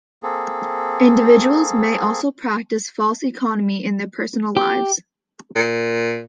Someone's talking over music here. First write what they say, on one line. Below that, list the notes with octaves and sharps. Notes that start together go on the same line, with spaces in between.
Individuals may also practise false economy in their personal lives.
A#3 C4 G#4 A4
G4
A#2